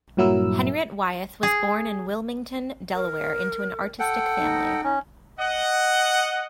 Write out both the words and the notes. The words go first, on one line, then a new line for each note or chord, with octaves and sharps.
Henriette Wyeth was born in Wilmington, Delaware, into an artistic family.
G2 A#2 F#3 E4 A#4 E6
G#4
A#4
A4 F#5 G5
D#4
C#4
D#5 F#5